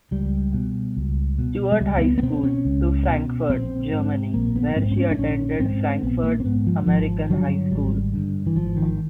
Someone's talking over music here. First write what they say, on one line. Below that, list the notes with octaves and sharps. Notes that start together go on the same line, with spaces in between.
Stuart High School, to Frankfurt, Germany, where she attended Frankfurt American High School.
C#2 G3
B2
C#2
B2
G#3
C#2 G3
C4
B3
B3
B2 C4
C#4
C#2
B2
A#1 C4
G#2
A#1 A#3
B3
G#2 C4
C4
C#4
D4
A#1 C#4
G#2 C4
A#1 B3
A#3
C4
G#2 B3
F3
G#1 F3
G2 D3 F#3
G#1 G3
G2 D3
E3
G#1 F3
D#3